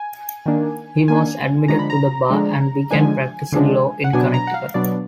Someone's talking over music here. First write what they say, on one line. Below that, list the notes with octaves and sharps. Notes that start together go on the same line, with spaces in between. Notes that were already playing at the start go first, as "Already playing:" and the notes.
He was admitted to the bar and began practicing law in Connecticut.
Already playing: G#5
D#3 A#3 D4
D#3 A#3 D4 G#5
D3 F3 G#3 D4 A#5
B5
A#5
D3 F3 G#3 D4
D3 F3 G#3 D4 G#5
D3 F3 G#3 D4
F#5
B2 F#3 B3 D4 G#5
A#5
F#5
F5
B2 F#3 B3 D4 D5